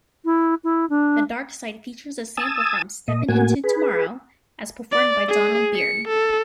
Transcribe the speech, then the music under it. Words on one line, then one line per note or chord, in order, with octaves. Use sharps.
"The Darkside" features a sample from "Steppin' Into Tomorrow" as performed by Donald Byrd.
E4
E4
D4
G#5 A5 D#6 E6
A#2 D#5
A2 A#3 F#4 G#5
G#4 B4
D5
G#4
C#7
A4